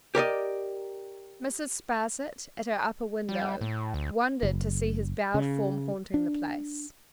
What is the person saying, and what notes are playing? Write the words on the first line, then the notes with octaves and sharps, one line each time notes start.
Mrs. Sparsit, at her upper window, wondered to see his bowed form haunting the place.
G4 A#4 D5 D#5
G3
A2
D2
F#1
C#3
D4